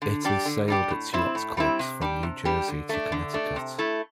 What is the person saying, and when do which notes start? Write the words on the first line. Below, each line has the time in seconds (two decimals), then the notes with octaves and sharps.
It is sailed at yacht clubs from New Jersey to Connecticut.
0.02 D3
0.24 G3 D4 G4
0.45 D3
0.68 G3 D4 G4
0.90 A2
1.13 G3 C4 E4
1.35 A2
1.57 G3 C4 E4
1.79 C3
2.01 G3 D4 G4
2.23 C3
2.45 G3 D4 G4
2.68 D3
2.89 A3 D4
3.12 D3
3.34 A3 D4
3.56 C3
3.78 A3 E4